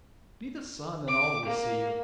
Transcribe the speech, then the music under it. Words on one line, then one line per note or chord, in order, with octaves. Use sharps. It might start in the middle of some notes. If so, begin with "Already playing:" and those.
Be the sun and all will see you.
D6
A#3